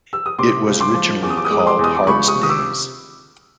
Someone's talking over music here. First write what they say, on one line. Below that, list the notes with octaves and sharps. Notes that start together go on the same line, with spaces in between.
It was originally called Harvest Days.
E6
D#6
C3 C6 D6
C#2
C6 D6
F3
E2 D6
D#6
D6
D#6
G#3 D6
D#6
C6 D6
E2 D#6
D6
C#2 B5 C#6
C#6 D#6
C3
D#6
D6 E6